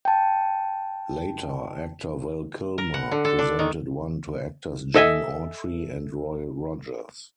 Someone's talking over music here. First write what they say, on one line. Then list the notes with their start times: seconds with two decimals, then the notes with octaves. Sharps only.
Later, actor Val Kilmer presented one to actors Gene Autry and Roy Rogers.
0.05 G5 A5
2.78 A#4
2.94 F#5
3.11 D3
3.25 A4
3.39 D4
3.59 D#3
4.96 A4 D#5 E5 G#5